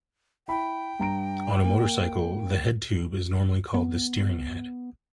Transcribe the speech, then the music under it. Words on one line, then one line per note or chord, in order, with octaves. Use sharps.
On a motorcycle, the "head tube" is normally called the steering head.
E4 G5 B5
G2 A#5 D7
A#3
B3